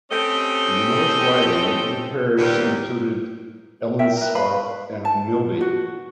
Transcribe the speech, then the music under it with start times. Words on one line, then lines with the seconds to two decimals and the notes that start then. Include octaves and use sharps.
In the North Riding the parish included Ellenthorpe and Milby.
0.11 A3 C4 C#4 G4 A4 D#5
2.37 D#2 G3 B3
3.99 A#4 E5 G5
4.16 A#4 B4
4.35 B4 F5 B5
5.05 A5
5.61 F#4